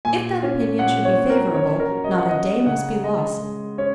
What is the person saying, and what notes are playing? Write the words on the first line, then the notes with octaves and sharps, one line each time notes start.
If that opinion should be favourable, not a day must be lost.
A#2 G#5
C#4
A#2 F#5
C#5
A#2
A#4
C#4 C#5
A#4
F#3
D#5
F#5
C#4 D#5
C#3 F#5
G#3 D#5
G#3
C#4 C#5